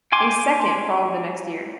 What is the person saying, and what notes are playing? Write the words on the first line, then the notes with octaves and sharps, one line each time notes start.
A second followed the next year.
G5 G#5 C6 D6